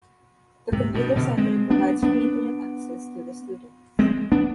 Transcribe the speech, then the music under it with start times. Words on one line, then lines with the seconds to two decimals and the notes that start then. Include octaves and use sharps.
The Computer Center provides free internet access to the students.
0.72 G#2 C3
0.94 G2 B2
1.16 B2 D3
1.37 G#3 C4
1.70 B3 D4
2.03 B3 D4
3.99 G#3 C4
4.32 B3 D4